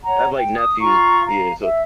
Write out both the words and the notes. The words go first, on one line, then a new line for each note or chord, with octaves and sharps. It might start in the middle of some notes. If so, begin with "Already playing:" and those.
I have, like, nephews. Yeah, so
C#5 F#5 A#5
G5
D#6
F4 F5 A#5 C#6
F5 A#5
E5